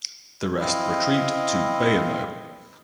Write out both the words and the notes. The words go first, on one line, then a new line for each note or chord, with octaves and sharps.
The rest retreat to Bayamo.
C4 E4 D#5 F5